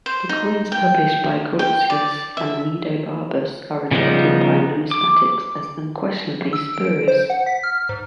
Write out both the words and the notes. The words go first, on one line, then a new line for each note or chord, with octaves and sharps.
The coins published by Groltzius and Mediobarbus are rejected by Numismatics as unquestionably spurious.
C5
D#4
G5
G5
D5
E5
C#3 F3 G3 B3 D#4
D6
E6
D7
C5
F#5
B6
F6
G#2